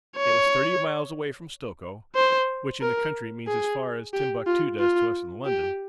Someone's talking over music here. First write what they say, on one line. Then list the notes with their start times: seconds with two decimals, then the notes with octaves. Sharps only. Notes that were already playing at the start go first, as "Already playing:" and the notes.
It was thirty miles away from Stokoe, which in the country means as far as Timbuctoo does to us in London.
0.17 C#5
2.15 C5
2.81 A#4
3.48 G#4
4.13 G4
4.47 F4
4.80 F4
5.46 G4